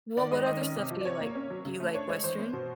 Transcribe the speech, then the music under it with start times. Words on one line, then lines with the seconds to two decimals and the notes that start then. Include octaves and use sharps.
Well, what other stuff do you like? Do you like Westerns?
0.17 D#3 D5
0.31 G#3 D#5
0.46 D#3 D#5
0.61 C#4
0.76 C3
0.91 F3
1.01 D5
1.05 C3 C#5
1.20 A#3
1.35 C#4
1.50 F#3
1.65 C#3
1.80 A3
1.94 D4 C#5
2.09 G#3 C#5
2.24 E3 C5
2.38 B3
2.53 B2